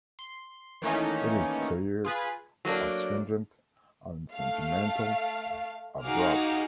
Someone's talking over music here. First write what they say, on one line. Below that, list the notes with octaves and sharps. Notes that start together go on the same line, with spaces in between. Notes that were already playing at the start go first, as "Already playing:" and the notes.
It is clear, astringent, unsentimental, abrupt.
C6
D#3 E3 A3 A#3 C#4 D#4
F4 G#4 B4
F#3 A3 A#3 D4
A3 F5
D#4 F#4 G#4 F5 D6 F6